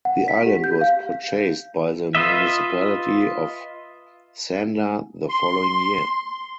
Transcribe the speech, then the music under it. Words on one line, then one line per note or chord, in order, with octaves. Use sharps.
The island was purchased by the municipality of Sandar the following year.
F#5
B6
G4
G6
F5
F4 B4 D#5 E5
C6